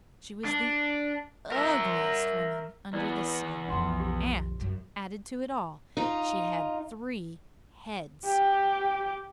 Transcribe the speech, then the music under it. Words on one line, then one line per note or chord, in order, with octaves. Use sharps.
She was the ugliest woman under the sun, and, added to it all, she had three heads.
D4
A#4 E5
E2 B3 E4 D5
B1 F2 C#4 C6
G4
C#2 F#2
D#4 F4
G4